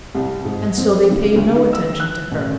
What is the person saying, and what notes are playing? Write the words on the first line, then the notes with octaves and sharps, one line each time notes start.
And so they paid no attention to her.
C2
G#2
C4
C#3
D2
D#4
E6
F#6
A1